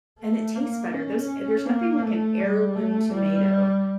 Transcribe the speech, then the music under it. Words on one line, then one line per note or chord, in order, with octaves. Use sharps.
And it tastes better. Those there's nothing like an heirloom tomato.
A3
A#3
C#4
A#3
A3
G3
A3
G3